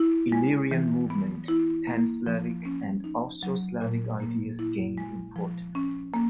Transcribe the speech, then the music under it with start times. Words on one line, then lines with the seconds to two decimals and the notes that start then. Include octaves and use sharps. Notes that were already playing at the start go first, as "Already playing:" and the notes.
Illyrian movement, Pan-Slavic and Austro-Slavic ideas gained importance.
Already playing: E4
0.32 G#3
0.71 E3
1.10 B3
1.48 E4
1.87 A#3
2.26 F3
2.65 C#4
3.04 D#4
3.43 F#3
3.81 A#2
4.20 A#3
4.59 E4
4.98 G#3
5.36 F3
5.75 C#4
6.14 A#3